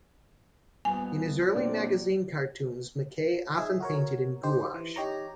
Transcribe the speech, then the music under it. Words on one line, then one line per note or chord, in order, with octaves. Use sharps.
In his early magazine cartoons McCay often painted in gouache.
D#1 B3 G#5
A#2 D3 F#3 C4 C5 D5
D#4 G#4 E5
F#4 A#4 C#5
D#4 G4 C5
E3
D#4 G4 C#5 A#5